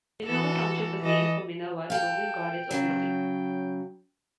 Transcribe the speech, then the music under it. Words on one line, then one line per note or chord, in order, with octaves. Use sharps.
Minerva Township was named for Minerva, the Roman goddess of wisdom.
E3 F#4 A4
E3 A4 D#5
A4 F5 G5
C#3 F#3